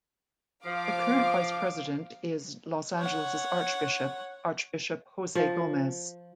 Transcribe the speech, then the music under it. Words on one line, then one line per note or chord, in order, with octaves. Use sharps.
The current Vice President is Los Angeles's archbishop, Archbishop Jose Gomez.
F3 F5 D6
C#5 F#5
F3